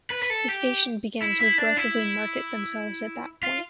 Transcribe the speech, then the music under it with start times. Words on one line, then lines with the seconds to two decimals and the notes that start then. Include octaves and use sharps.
The station began to aggressively market themselves at that point.
0.10 B4
0.22 B4
0.30 A4
0.48 G4
1.22 E4
1.41 E4
1.58 D4
1.77 E4
3.43 F4